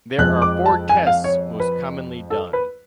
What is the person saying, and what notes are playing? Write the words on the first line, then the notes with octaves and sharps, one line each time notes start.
There are four tests most commonly done.
F2 F3 G#3 F#6
D6
A5
G#5
F5
C#5
B4
A4
B4